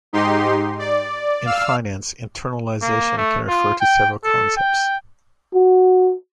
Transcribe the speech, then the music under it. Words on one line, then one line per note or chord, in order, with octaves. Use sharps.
In finance, internalization can refer to several concepts.
G#2 D#4 G4 C6
D5
F5 E6 F6
A#3
A3
F4
G5
A4
G5
F#4